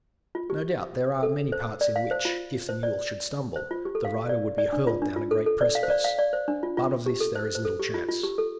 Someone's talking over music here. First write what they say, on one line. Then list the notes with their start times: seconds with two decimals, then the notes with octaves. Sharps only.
No doubt there are many parts in which, if the mule should stumble, the rider would be hurled down a great precipice; but of this there is little chance.
0.35 F4
0.50 G4
1.23 A4
1.52 C5
1.81 D5
1.96 F5
2.11 C5
2.25 F4
2.69 C5
2.83 D5
3.56 C5
3.71 F4
3.85 G4
3.95 A4
4.05 F5
4.29 D5
4.58 D5
4.73 D4
4.87 F4
5.02 D4
5.16 F4
5.31 A4
5.46 A4
5.61 D5
5.75 F5
5.83 C5
5.90 D5
6.04 F5
6.18 D5
6.33 C5
6.48 D4
6.63 F4
6.77 F4
7.06 G4
7.20 A4
7.35 C5
7.55 C5
7.65 A4
7.80 G4
7.94 F4
8.09 F4
8.23 G4
8.38 A4